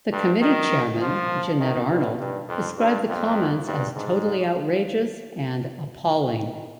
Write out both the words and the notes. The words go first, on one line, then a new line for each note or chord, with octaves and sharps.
The Committee chairman Jennette Arnold described the comments as "totally outrageous" and "appalling".
G2
D#3
F3
D#3
G2
G2
F2
G2
F2
G2
G#2